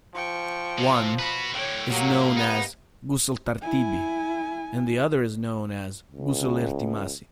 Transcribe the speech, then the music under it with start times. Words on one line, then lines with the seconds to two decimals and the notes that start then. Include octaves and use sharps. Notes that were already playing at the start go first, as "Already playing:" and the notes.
One is known as ghusl tartibi, and the other is known as ghusl irtimasi.
0.15 F3 G5 C#6
0.78 C3
1.19 F#4 B4 B5
1.54 A2 D3 C#5 G5
1.91 A2 F#3 A#3 G4
2.37 B3 D#4
3.62 E4 G#5
6.12 C#2